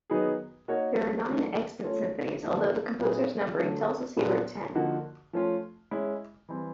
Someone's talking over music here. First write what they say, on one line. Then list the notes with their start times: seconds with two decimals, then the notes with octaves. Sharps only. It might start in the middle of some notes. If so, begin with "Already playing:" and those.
There are nine extant symphonies, although the composer's numbering tells us he wrote ten.
0.10 D#3 F#3 B3 D#4 G#4
0.68 A#3 D#4 F#4 A#4 C#5
1.26 D#3 F#3 A3
1.84 A3 C#4 F4 A4 C#5
2.43 D3 F3 A3 D4
3.00 A#2 F#3 B3 E4 G#4
3.59 D3 F#3 A3
4.17 A#2 F#3 B3 D4 F4
4.75 D3 F3 A#3 D#4 F#4
5.33 F3 A3 C#4 F4
5.91 G#3 C#4 E4
6.49 E3 G3 C4